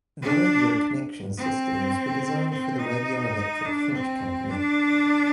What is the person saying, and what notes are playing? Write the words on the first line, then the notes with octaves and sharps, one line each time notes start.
The radio connection systems were designed for the Radioelectric French Company.
D4
C4
C4
D#4
D4
C4
D4